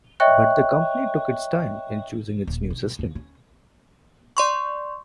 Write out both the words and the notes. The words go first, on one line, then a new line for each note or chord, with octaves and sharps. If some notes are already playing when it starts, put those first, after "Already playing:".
But the company took its time in choosing its new system.
C#5 D#5 E5 G5 C#6 F#6
D#1
B1
D#2
C#4
D5 C6 C#6